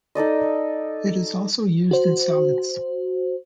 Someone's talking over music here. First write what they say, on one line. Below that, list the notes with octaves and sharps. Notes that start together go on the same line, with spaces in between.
It is also used in salads.
D#4 A4 D5 D#5
F#4 C5